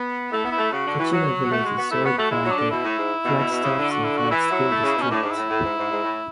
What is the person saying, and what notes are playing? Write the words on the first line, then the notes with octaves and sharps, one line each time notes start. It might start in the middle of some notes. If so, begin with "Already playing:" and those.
Kachina Village is served by the Flagstaff Unified School District.
Already playing: B3
A3 E4
B3
E4
A3
C#3 F#4
D3
E3
F#3
A3
G#3
B3
A3 E4
B3 F#4
A3 F#4
G#3 E4
F#3
D4
D3
B2 E4
A2
G#2
B2
B2
B2
C#3
D3
F#4
E4
F#4
E3 E4
F#3
A3
C#3
B2
C#4
A2 D4
G#2
E4
A2
A2
G#2
G#2
G#2
A2